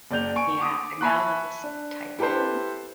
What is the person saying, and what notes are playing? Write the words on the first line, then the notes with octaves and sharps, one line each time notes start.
Yeah, and now you just type it in.
F#1 D5 G6 F7
G#5 C#6 D7
D6 D#6
E5 G#5 A5 B5 C#6 F#6
D4
E4 G4 A4 B4 C5